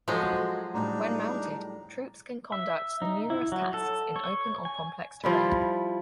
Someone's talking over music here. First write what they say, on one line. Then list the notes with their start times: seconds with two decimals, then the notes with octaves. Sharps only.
When mounted, troops can conduct numerous tasks in open or complex terrain.
0.08 F3 F#3 G#3 F#4 A4
0.74 A2 G3 D4 D#4
2.52 E5
3.02 D#4
3.30 E4
3.52 F#3
3.74 A4
4.16 C#5
4.65 G#5
5.24 F3 G3 E4